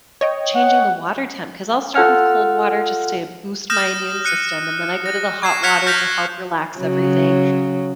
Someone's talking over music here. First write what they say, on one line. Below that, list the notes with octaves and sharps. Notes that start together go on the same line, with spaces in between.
changing the water temp. 'Cause I'll start with cold water just to boost my immune system, and then I go to the hot water to help relax everything,
C#5 D#5 G5
F#5
F4 A4 F#5 F6
D#6 F6 G6 A#6 E7
F#6 C#7 D#7
A#6
C#6 G#6 C7 E7
F6 F#6 G#6 B6 C#7 F7
F6 G6 A#6 B6 F7
C#3 F#3